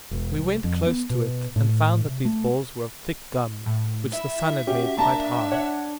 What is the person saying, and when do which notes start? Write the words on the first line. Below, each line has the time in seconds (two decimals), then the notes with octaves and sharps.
We went close to it, and found that these balls were of thick gum, which the sun had made quite hard.
0.11 E1
0.37 C2
0.64 F2
0.86 B3
1.10 B2
1.56 A2
2.05 C3
2.25 A3
3.66 A2
4.13 E4 E5
4.67 C#4 F#4 G4
4.98 A#3 D4 A5 A#5
5.52 C#5 F#5